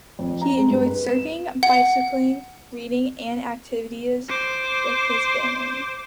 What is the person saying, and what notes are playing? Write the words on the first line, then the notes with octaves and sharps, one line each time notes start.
He enjoyed surfing, bicycling, reading and activities with his family.
F2
A#5
G#3
G2
B4
E7
F#5
C5 D6